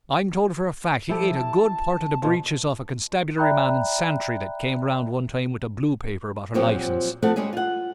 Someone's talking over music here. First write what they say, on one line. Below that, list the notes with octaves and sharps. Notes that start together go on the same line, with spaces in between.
I'm told for a fact he ate a good part of the breeches off a constabulary man in Santry that came round one time with a blue paper about a licence.
F3 E4 G4 A4
A5
B2 F3
D5 E5 G5 A#5 B5 F#6
A#2 F3 F#3 C4 F#4 G4
F3 A3 C4 A4 F#5
G3 G#3 C#4 G#4
F4 F#5